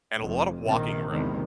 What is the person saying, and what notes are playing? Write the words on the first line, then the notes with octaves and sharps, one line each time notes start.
and a lot of walking room.
F1 F2
A#1 C3 D#3
A#1 E2 C3 D#3 G#3